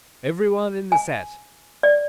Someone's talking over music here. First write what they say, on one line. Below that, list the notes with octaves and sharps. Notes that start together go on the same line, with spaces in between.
Everyone in the set!
G#5
D5